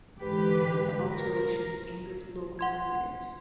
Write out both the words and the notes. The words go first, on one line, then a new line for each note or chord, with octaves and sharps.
The alteration angered local residents.
G#2 D3 E3 G#3 G4 B4
A#4
F#5 C6 G#6